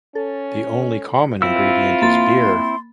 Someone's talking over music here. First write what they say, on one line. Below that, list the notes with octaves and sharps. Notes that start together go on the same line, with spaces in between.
The only common ingredient is beer.
C#4 A4
C4 E4 F4 E6
A#3 B5 C6 A6